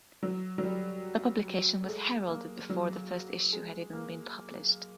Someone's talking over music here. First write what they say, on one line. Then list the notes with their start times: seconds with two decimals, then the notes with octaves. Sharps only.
The publication was heralded before the first issue had even been published.
0.23 F#3
0.58 F#3
0.63 G3
1.83 A3
1.88 G#3
2.28 A#3
2.69 F#3
3.53 G#3
3.93 A#3